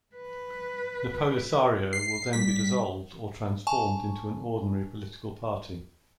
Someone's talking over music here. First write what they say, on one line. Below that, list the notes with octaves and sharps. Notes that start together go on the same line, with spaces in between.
The Polisario will then be dissolved or transformed into an ordinary political party.
B4
C7
G3 B6
G#5 A5 C#6